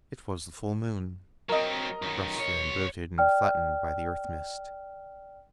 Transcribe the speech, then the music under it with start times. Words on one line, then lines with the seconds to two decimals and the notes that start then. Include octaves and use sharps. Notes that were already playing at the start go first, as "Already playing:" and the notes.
It was the full moon, rusty and bloated and flattened by the earth-mist.
1.49 F#3 C4 A#4 D#5
2.02 F#2 D#3
2.38 B1 C#5
3.18 D5 G5 F6